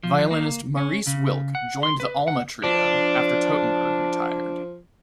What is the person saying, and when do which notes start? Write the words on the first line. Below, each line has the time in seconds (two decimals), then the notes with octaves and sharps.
Violinist Maurice Wilk joined the Alma Trio after Totenberg retired.
0.03 F3
0.31 A#3
0.77 C#4
1.07 C#3
1.55 F#5
1.83 C6
2.00 B4
2.28 F#5
2.64 F3 D4